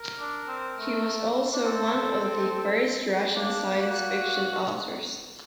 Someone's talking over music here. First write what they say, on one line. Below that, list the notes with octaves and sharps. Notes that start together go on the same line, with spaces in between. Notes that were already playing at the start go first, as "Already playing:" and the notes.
He was also one of the first Russian science fiction authors.
Already playing: A#4
D4
C4
A3
D4
C4 A4
A#3 D4
F#4